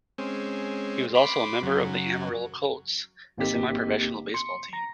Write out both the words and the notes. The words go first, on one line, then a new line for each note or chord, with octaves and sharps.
He was also a member of the Amarillo Colts, a semi-professional baseball team.
G#3 C4 C#4
B5 C6 D6
F#2 C#3 F#3
G#1 A#3 C4 D#4 G4 B6
C6 C#7
A#5 A#6